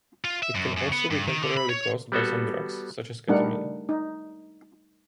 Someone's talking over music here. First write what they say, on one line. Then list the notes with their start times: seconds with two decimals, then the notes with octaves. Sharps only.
It can also be temporarily caused by some drugs, such as ketamine.
0.24 F4
0.43 E5
0.55 F#2
0.77 F#2
0.93 B3
1.11 G2
1.28 D#3
1.42 D3
1.57 B5
1.69 C#5
2.12 G3 B3 F#4 A4
3.28 G3 A3 D4 D#4 A#4 F#5
3.89 D#4